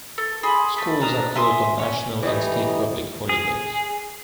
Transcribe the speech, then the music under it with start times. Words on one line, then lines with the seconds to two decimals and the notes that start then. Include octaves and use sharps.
Schools are closed on national and state public holidays.
0.18 A4
0.43 G#4 B5 C6
0.77 A3 B5
1.00 D4 A#5 D#6
1.35 E5 G#5 C6 D#6
1.79 C#4 C#5
2.23 E3 G3 A3 D#4
3.29 G#4